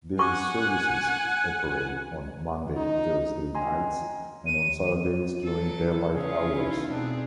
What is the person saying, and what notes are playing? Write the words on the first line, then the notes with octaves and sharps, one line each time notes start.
These services operate on Monday - Thursday nights and on Saturdays during daylight hours.
F#5 G#5 C#6 D6
D#4
D#5 G5 G#5 A#5 C6
D#7
F#3 A4
E4
C#3 A3 C#4 F4 G#4
D#4 E4
B2 C4 D4 G#4